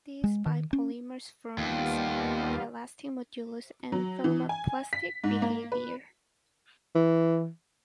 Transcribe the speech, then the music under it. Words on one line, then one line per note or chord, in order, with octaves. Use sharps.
These biopolymers form exhibit high elastic modulus and thermoplastic behavior.
G#3
D#3
C#4
D#2 G3 B3 F4
F#3
E3
G#5
B6
G#2
A#3
B4
E3